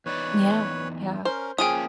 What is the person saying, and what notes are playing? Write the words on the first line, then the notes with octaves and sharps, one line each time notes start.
Yeah. Yeah.
E2 D#4 B4 C#5 D5
C#4 A#4 C5
F3 A#3 C#4 G#4 F5 G5 G#5 D#6